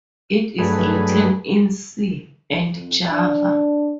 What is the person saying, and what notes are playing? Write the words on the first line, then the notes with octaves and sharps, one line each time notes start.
It is written in C and Java.
G2 F#3 A3 G#4 B4
F2
D4